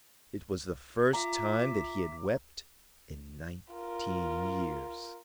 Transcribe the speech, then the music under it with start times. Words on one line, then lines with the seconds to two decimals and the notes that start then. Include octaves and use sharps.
It was the first time that he had wept in nineteen years.
1.13 F4 E5 A#5 D6
3.73 F4 A#4